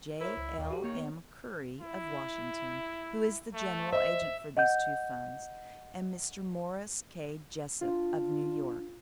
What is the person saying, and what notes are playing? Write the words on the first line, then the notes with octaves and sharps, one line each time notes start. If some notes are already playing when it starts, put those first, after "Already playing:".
J.L.M. Curry, of Washington, who is the general agent for these two funds, and Mr. Morris K. Jessup, of New York.
E4 A#4 C5 C#5 E5
C#2
D#2 A#2
F#4 G4 A4
D#3 A#3 C#5
B3
E4
A3
C5 D#5 E5
D#5 F#5 G6
D4 F4